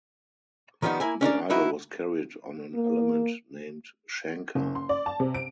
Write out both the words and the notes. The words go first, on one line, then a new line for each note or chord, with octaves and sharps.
The idol was carried on an element named Shankar.
D#3 F3 G3 B3 D#4
A#3 E4 G#5
C#4 D4 A#4 D5
D#4 E4 F#4 B4
A#3
F#1
C6
D5
A5
C3
D7